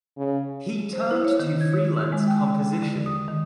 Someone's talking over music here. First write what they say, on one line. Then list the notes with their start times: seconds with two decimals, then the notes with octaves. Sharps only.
He turned to freelance composition.
0.17 C#3
0.93 C5
1.11 E4
1.25 C#5
1.39 D#3
1.61 G#6
1.73 C#5
2.12 G#3
2.28 G5
2.83 D3
3.06 D#6
3.28 D#3